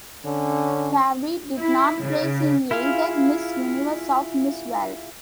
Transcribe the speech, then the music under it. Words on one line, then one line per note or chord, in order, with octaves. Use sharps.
Fabre did not place in either Miss Universe or Miss World.
D3 C#4
E4
C#3
E4 F4 G#4 F5